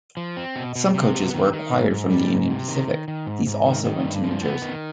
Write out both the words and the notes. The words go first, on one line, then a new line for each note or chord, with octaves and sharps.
Some coaches were acquired from the Union Pacific; these also went to New Jersey.
F3
C4
B2
B2
C3
B3
D#3
D#3
G#2
G#2
G3
G#2
C3
D#3
D#3
D#3
G#2
G#2
D#3
D#3
G2
F3
B3
D#3